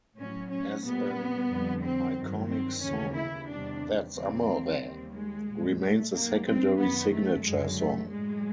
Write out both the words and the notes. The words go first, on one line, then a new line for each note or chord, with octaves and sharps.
As an iconic song, "That's Amore" remains a secondary signature song.
A2 F#3 C#4
C#4
A#2 G3 B3
F2 D3 G3
C4
G2 D#3 F#3
C4
D#2 C#3 E3 C#4
E4
E2 C3 D#3 G3 D4
E2 C#3 E3 G3 C4
D#2 D#3 G3
G#3
A#2 G3
A3
F#2 D#3 G3 A#3
C4
F#2 D#3 F#3 B3
A3
F#2 D3 F#3 G#3
A3
A2 F#3 G#3